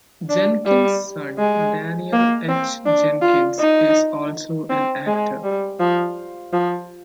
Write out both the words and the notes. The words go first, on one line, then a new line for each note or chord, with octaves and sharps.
Jenkins' son, Daniel H. Jenkins, is also an actor.
D4
G3
G#3
A#3
C4
D4
F4
D#4
C4
G#3
G3
F3
F3